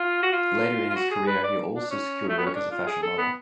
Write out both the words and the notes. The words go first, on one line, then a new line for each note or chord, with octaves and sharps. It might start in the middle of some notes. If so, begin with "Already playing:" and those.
Later in his career he also secured work as a fashion model.
Already playing: F4
F#4
F4
F4
F#4
G#4
B4
D5
D4
C#4
A3
B3
C#4
D4
F4
G#4
A4
B3